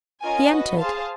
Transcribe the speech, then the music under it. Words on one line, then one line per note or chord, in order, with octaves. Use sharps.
He entered.
C#4 F4 A#4 D#5 G#5
F#4 B4 D#5
G#4 C5 F5 A5